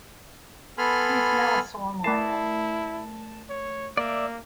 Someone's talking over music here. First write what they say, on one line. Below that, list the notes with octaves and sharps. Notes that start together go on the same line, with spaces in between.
He is now a songwriter.
B3 A4 G#5 B5 C6 F6
A3 E4 A#4 A5 C7
C#5
A#3 D5 E5